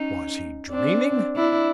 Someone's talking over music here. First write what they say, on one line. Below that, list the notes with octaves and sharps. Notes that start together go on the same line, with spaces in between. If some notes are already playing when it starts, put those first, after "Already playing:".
Was he dreaming?
Already playing: C#4 D#4
C4 D4
D4 E4